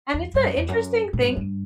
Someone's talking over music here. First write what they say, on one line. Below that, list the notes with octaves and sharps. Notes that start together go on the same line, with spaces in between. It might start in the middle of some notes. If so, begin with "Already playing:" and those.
and it's an interesting thing
E2
G2
F#2
E2
F#2
A#2
G2
F#2
G2